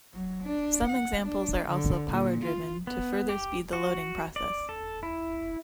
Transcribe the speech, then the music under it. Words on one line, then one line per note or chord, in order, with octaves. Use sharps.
Some examples are also power-driven, to further speed the loading process.
F#3
D4
F#5
D4
D3
A#2
F4
B3
G4
F#4
D5
A4
E4